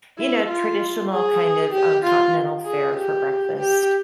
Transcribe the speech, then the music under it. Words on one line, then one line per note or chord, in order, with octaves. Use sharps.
you know, traditional kind of, um, continental fare for breakfast.
E4
F4
G#4
G4
F4
G#4
G4
G4